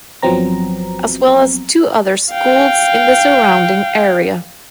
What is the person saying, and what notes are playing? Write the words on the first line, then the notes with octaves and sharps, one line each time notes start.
As well as two other schools in the surrounding area.
G1 F3 F#3 B3 C4 A#5
F5 G5